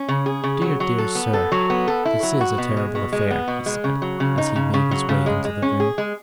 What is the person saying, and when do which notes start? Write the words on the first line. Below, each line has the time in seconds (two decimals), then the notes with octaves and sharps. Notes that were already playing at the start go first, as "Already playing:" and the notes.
"Dear, dear, sir--this is a terrible affair!" he said, as he made his way into the room.
Already playing: C#4
0.09 C#3
0.26 G#4
0.44 C#3
0.62 F#3
0.80 F#3
0.98 A4
1.15 B3
1.33 A4
1.52 F#3
1.70 B3
1.88 A4
2.05 E4
2.23 F#3
2.41 F#4
2.58 B2
2.77 G#3
2.95 B2
3.13 G#3
3.31 B3
3.48 B2
3.66 G#3
3.84 C#3
4.02 F#3
4.20 C#3
4.38 D#4
4.56 C#3
4.74 C#3
4.91 F#3
5.09 C#3
5.26 G#3
5.45 G#3
5.62 C#4
5.80 G#4
5.98 G#3